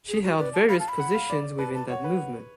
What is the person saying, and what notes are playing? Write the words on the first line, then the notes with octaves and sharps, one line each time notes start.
She held various positions within that movement.
G#4
F#4
B4 D5
A5
F5 B5
A5
B5
F#5
F5
D5
B4 A5
A5
C#5 F#5
B4